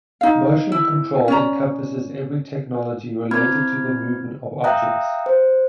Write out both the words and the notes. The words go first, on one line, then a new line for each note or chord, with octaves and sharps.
Motion Control encompasses every technology related to the movement of objects.
D#4 F5
E4
C#4 D5 A#5
C4 E4 B5 F6 G#6
E5 F5 G5 A#5 D#6 F#6
C5